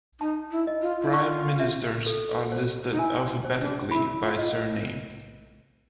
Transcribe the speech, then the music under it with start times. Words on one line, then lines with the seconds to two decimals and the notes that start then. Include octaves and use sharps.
Prime Ministers are listed alphabetically by surname.
0.20 D#4 A5
0.51 E4
0.67 D#5
0.82 F4
1.02 E4
1.13 F4 C#6
1.60 E5
2.06 A4
2.52 C5
2.92 D#4
2.99 E4 G#5
3.45 C5
3.61 D4
3.91 E4 B5
4.23 F4
4.38 D#5
4.44 F4
4.54 E4